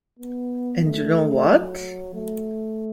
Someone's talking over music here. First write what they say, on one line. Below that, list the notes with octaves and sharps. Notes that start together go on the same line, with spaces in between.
And you know what?
B3
A3
F#3
A3